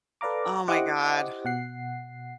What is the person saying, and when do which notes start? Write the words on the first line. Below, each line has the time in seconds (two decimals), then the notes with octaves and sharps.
Oh my god.
0.21 A4 B4 D5 F5 A#5 D6
0.68 E4 G4 C5 D#5 F#5 D6
1.45 B2 F#5 C7